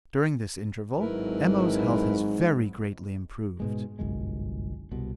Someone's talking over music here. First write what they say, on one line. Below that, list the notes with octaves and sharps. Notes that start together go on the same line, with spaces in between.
During this interval M.O.'s health has very greatly improved.
G#1 G#2 F#3 E4 A#4 B4
G#2 B2 G#3
G1 C2 F#2 G#3
C2 B2